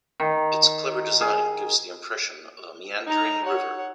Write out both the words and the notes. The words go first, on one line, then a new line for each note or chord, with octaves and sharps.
Its clever design gives the impression of a meandering river.
D#3
G#4
D#4 A#5
C#5 F#5